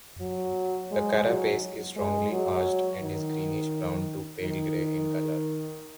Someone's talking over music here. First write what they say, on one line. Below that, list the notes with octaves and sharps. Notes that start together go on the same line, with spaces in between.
The carapace is strongly arched and is greenish brown to pale gray in color.
F#3
G#3
F#3
G#3
F#3
D#3
D#3